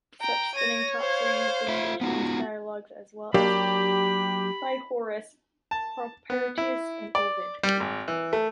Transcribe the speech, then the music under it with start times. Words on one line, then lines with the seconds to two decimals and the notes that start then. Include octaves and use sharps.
Such spinning tops are used in Lucian’s dialogues as well as by Horace, Propertius and Ovid.
0.21 G5 A#5
0.55 C#5 A#6 D#7
1.00 C5 F5
1.68 F4 E5
2.01 B3 D#4 F4 F#4
3.34 F#3 A#3 D4 G4 B5
5.71 A5
6.30 B3
6.58 E4
7.15 D5
7.63 G3
7.80 G#1
8.08 E3
8.33 A3